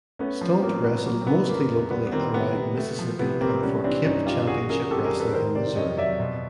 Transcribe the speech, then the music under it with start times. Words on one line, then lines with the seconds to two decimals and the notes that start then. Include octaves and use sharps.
Stunt wrestled mostly locally around Mississippi and for Cape Championship Wrestling in Missouri.
0.19 A3 B3 C#4
0.41 F3
0.62 A2 A#3 C4
0.84 A2 B3
1.06 F#3 A#3
1.21 C4
1.27 C#3 B3
1.49 F2 A#3
1.70 A3
1.91 G3 B3
2.07 B3
2.12 D#3 A#3 C4
2.34 C3 B3
2.55 C3
2.77 A3
2.99 F3
3.19 C3 B3
3.41 C3 A#3 C4
3.63 G3 B3 C#4
3.84 E3 C4 D4
4.05 G2 C#4 D#4
4.26 G2 F4 G4
4.47 E3 F#4 G#4
4.69 C#3 G#4 A#4
4.91 F2 G4 A4
5.05 G#4 A#4
5.13 G3
5.19 A4 B4
5.33 D#3 A#4 C5
5.55 C3 C5 D5
5.76 F2 C#5 D#5
5.97 F#3 D5 E5
6.20 B2